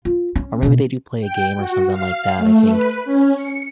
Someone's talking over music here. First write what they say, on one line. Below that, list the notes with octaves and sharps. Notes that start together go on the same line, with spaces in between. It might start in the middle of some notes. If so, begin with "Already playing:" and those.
or maybe they do play a game, or something like that. I think
F4
C#4
B2 A3
G5
F#4
F5
A3
B4
C#4
C#7